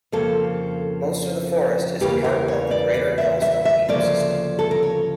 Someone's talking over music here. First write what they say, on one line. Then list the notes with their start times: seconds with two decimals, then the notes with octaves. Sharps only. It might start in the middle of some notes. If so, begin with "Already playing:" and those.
Most of the forest is a part of the Greater Yellowstone Ecosystem.
0.12 F2 C#3 F3 A#3 A4
2.01 E2 C#3 E3 A#3 G4
2.24 A#4
2.48 C#5
2.71 D5
2.94 D5
3.18 E5
3.42 E5
3.65 E5
3.89 D2 C#3 F3 A#3 D5
4.59 A4
4.71 A#4
4.83 C#5